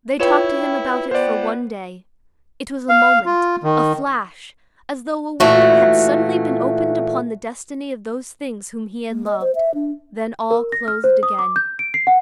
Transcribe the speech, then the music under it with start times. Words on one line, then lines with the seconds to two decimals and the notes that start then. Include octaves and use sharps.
They talked to him about it for one day; it was a moment, a flash, as though a window had suddenly been opened upon the destiny of those things whom he had loved; then all closed again.
0.20 E4 F4 B4 C#5 G5 E7
1.11 B3 C5 D5
2.89 F5
3.26 F4
3.63 D#3
5.40 A#2 E3 A3 F#4
9.10 A#3
9.27 D#5
9.41 C5
9.55 E5
9.74 D4
10.51 A#4
10.72 A#6
10.88 F6
11.04 C5
11.23 D#6
11.39 D6
11.56 G6
11.79 D7
11.94 C7
12.07 F#5